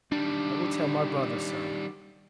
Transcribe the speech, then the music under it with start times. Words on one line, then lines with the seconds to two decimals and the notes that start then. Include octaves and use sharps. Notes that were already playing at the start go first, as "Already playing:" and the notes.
I will tell my brother so.
0.12 D#3 G3 D4